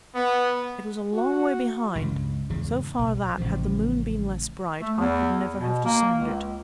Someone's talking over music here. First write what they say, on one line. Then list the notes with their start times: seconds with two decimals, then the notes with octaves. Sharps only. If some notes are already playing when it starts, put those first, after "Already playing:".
It was a long way behind--so far that, had the moon been less bright, I could never have discerned it.
0.15 B3
1.13 F#4
1.95 C#2 G2 C#3
2.50 E2 G#2 C#3
2.99 B1
3.38 A1 C#3 F3
4.81 A3
4.98 E2
5.56 B2
5.85 A#3
6.16 C#2